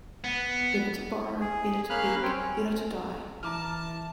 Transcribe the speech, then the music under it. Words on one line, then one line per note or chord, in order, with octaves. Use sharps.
Better to borrow, better to beg, better to die!
B3
G#4
A#3 C#4 F5 B5 F6 F#6
C4 C5 C#5 G5
C#4
E3 E4 A5 A#5 D6 F6